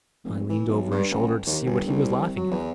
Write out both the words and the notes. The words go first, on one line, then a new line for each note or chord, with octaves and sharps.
I leaned over his shoulder to see what he was laughing at.
F1
E3
B1
G2
A1
D#2
G1
C2
F#3
E2